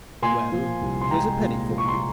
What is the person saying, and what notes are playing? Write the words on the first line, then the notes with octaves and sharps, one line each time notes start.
"Well, here's a penny for you."
A#2 G#5 C6
F3
C2
C6
G#3 G5 A#5
A#2
F3
C#6
C6